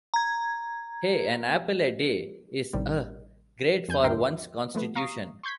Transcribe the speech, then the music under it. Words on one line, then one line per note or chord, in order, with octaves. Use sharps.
Hey, an apple a day is...uh...great for one's constitution!
A#5 G#6
A1 C3 D#3 G3
F2 G#5 G6
D2 G2 A#4 G5 C6
F3 A3 B3
F5 A#5 C#6 D#6 C7
C6 C#6 G6 G#6 B6